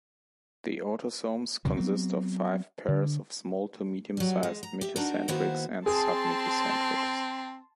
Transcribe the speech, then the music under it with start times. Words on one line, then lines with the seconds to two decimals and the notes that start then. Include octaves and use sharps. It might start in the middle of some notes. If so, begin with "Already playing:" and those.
The autosomes consist of five pairs of small to medium-sized metacentrics and submetacentrics.
1.65 D2 C3 E3 F#3
1.77 F#3 B3 C4
2.89 D3
4.17 F#3 G3
4.43 G#3
4.63 A#5
4.81 G4 E5
4.96 D4 D#4 F#4 A#4
5.28 D#3 A#3 B3 E4 F#4 C5
5.86 C4 G#4 A5 C6